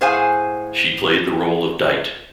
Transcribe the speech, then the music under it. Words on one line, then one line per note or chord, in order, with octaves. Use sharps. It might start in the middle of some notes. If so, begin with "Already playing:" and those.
She played the role of Dite.
A2 G#4 C5 F5 F#5 G#5